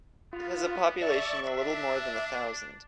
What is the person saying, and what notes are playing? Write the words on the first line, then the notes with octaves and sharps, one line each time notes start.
It has a population a little more than a thousand.
B3 F4
D5 E5 A5 C#6
D4 E5